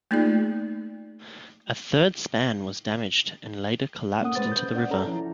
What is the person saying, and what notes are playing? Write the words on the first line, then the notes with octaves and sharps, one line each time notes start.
A third span was damaged and later collapsed into the river.
A3 A#3 D#4 F4 G#4 D5
A3 A#3 C#4 F#5 D#6
G#3 B4 C5 A6
B4 G6
C#4 D5 F#5
C#4 A4 A#5
F3 E4